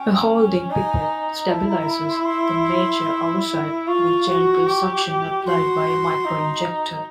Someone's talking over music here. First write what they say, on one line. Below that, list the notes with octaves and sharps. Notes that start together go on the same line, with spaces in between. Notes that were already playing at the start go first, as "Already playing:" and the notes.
A holding pipette stabilizes the mature oocyte with gentle suction applied by a microinjector.
Already playing: C#4 G5
D#4 G#5
E4 A5
A#5
A#5
B5
C6
B5
C6
F4 C#6
F#4
G4
F#4 C6
D#4